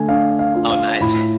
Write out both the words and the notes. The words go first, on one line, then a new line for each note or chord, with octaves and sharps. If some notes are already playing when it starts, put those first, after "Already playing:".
Oh, nice.
Already playing: D3 A3 G#5
D4 F5
F5
F4
F5
A2 B5